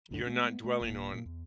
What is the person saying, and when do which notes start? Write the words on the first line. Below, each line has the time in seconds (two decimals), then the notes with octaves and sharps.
you're not dwelling on
0.11 C#2 F#2 A2 D3
0.26 G#3 A3 B3 C4
0.64 A3
0.81 D#1 A#2 A#3
1.13 A#2 G#3 A#3
1.26 E2